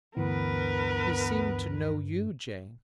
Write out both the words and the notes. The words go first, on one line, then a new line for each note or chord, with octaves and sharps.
He seemed to know you, Jane.
D2 G2 E3 B3 A#4 B4